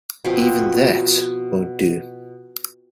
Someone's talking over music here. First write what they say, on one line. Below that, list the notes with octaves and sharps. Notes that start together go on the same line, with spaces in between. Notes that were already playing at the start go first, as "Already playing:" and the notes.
Even that won't do.
B2 F3 C4